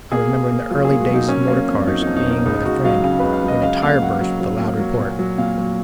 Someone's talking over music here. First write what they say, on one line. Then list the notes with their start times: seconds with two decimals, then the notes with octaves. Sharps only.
I remember in the early days of motor-cars being with a friend when a tyre burst with a loud report.
0.12 A#3 G#4
0.31 A#3
0.51 A#3
0.71 F#3 F4
0.85 G#4
0.90 A#3
1.00 F#4
1.10 F#3 D#4
1.29 A#3 C#4
1.48 A#3
1.68 F2
1.87 F#3 D#4
2.02 F2 D#4
2.17 D#4
2.27 A#3 D#4
2.46 C#2 D#4
2.65 C#2 F#4
2.85 F#3 F5
3.04 C#3 F5
3.19 C#2 B4
3.33 F5
3.43 F#3
3.48 D#5
3.63 C#2 F5
3.82 A#3 F5
4.02 F#3 F#5
4.21 F#3
4.41 F#3
4.60 A#3
4.80 F#3
4.99 A#2
5.19 F#3
5.38 A#2 F5
5.58 F#3